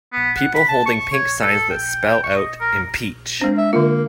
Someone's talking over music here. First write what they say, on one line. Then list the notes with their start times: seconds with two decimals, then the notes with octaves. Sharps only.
People holding pink signs that spell out, Impeach .
0.12 B3
0.36 F#5
0.54 B5
0.68 A5
0.86 C#6
1.13 C#5
1.41 A4
1.70 G5
2.06 G5
2.24 C#6
2.36 D#5
2.61 A#4
3.41 G#3 C4 D4
3.57 E5
3.73 D3 A#3 F4